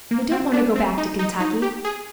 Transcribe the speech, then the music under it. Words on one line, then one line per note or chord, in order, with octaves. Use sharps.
I don't want to go back to Kentucky!
A#3
C4
D4
C4
D#4
D#4
D#4
G4
G#4